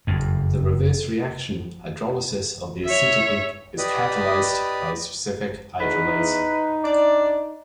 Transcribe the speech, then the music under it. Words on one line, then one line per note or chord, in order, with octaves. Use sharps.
The reverse reaction, hydrolysis of the acetyl group, is catalyzed by a specific hydrolase.
F#1 F2
C#5 E5
G4 B4 D5 D#5 B5 D#6
E2 D#4 B4
D4 D5